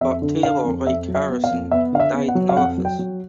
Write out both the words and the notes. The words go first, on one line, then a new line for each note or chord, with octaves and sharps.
But Taylor, like Harrison, died in office.
F2 E5
D3
D3 F5
F2
F2 E5
F#3
E5
B3
F5
F2
B3 E5
D3 F5
E5
B3
F#5
F#3
F5
F2 F#5
F#3
G5
F#3